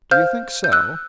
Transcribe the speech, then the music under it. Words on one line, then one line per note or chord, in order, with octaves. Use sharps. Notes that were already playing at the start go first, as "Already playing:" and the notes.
"Do you think so?"
C5 F5 F6 G6
G6
E6 F#6